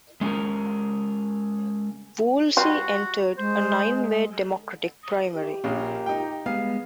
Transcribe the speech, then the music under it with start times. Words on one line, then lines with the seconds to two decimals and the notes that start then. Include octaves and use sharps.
Woolsey entered a nine-way Democratic primary.
0.21 G#3 C#4 G#4 A#4
2.57 G3 F4 F#4
3.38 G#3 C5
5.35 G4
5.64 A#1 C#4 F4 A#4
6.06 D#4 G5
6.46 G3 G#3 B3 F5